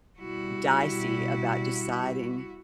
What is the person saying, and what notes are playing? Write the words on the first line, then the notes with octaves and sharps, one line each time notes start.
dicey about deciding
B2 G3 E4 F#4